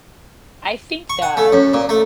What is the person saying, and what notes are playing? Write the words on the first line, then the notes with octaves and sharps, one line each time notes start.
I think that
C#6
F#5
A3
F#2
A#2
A3